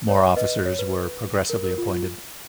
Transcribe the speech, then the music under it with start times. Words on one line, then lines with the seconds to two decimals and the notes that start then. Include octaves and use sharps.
More officers were progressively appointed.
0.09 C#5
0.36 B4 D#5
0.65 C#5
0.79 B4
1.50 A#4
1.64 A#4
1.78 F4
1.93 F4